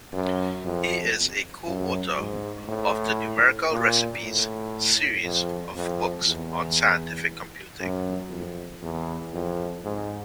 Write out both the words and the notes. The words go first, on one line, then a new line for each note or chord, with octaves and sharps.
He is a coauthor of the Numerical Recipes series of books on scientific computing.
F#2
F2
F#2
G#2
A2
A#2
A2
F2
F2
E2
F#2
F2
E2
F2
G#2